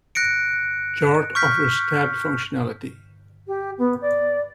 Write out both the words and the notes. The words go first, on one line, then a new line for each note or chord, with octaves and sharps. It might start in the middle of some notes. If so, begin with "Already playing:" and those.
Jarte offers 'tabbed' functionality.
F#6 A#6 C#7 D7
C#6 F6 G6 B6
G4
B3
D5